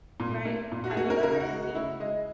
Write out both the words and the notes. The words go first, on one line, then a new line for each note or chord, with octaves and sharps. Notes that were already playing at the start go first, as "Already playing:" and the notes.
Right, have you ever seen
A#2
A#3
A#2
F#4
G#4
A#3 F#4
A#4
C#3 A#4
F#4
G#3
F#4
C#3 E4
G#3 D#5